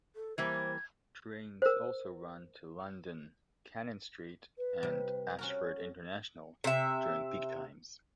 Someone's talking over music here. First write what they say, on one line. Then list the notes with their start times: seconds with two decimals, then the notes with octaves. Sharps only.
Trains also run to London Cannon Street and Ashford International during peak times.
0.15 A4
0.38 E3 G3 A#3 C5 G#6
1.62 A#4 C5
4.58 B4
4.83 C3 G3
5.39 C#4 F#4 A#4
5.77 A4
6.64 C3 E5